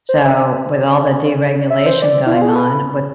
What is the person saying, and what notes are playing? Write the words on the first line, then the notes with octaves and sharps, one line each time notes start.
So, with all the deregulation going on, with
C5
E5
E5
C5
D5
E4
F4
G#4
A4
B4